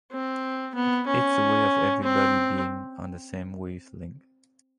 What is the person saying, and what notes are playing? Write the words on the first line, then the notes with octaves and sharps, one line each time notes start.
It's a way of everybody being on the same wavelength.
C4
B3
C#4
C4